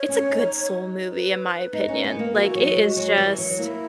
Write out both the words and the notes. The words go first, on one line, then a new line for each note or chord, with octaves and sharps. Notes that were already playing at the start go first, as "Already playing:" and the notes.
it's a good soul movie in my opinion, like, it is just
Already playing: C#5
C#4
D#4
B4
D#4
C#4
B3
A#3
E3 F#4
F#3
G#3
F#3
E3
F#3
A#3 E4